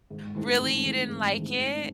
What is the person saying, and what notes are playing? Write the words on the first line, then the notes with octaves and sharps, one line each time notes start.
Really, you didn't like it?
G#2
E3 A3 C4 D#4
G#2
E3 A3 C4 D#4
G#2
E3 A3 C4 D#4
G#2